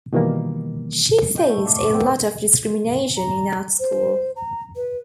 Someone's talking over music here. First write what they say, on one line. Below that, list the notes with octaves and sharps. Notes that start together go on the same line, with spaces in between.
She faced a lot of discrimination in art school.
B2 D#3 E3 G3 A#3
D#5 G5
A3
D5 E5 F#5 C#6
G#3 B3 C4
A#5
C5
A#5
B4